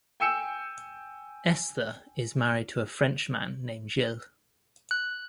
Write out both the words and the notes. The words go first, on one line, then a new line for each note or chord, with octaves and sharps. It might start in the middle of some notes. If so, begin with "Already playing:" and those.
Esther is married to a French man named Gilles.
G5 G#5 E6 G6 C#7 E7
F#6